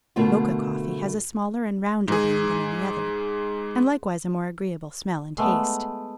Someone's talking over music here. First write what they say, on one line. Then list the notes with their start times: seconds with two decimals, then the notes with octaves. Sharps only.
Mocha coffee has a smaller and rounder bean than any other, and likewise a more agreeable smell and taste.
0.16 B2 D3 A3 A#3 F4
2.08 G#2 G#4
5.38 G#3 A3 B3